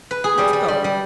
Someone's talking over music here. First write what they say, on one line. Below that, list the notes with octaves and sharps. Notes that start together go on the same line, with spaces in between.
"Let's go."
B4
G#4
G3 G4
G3
G3
G3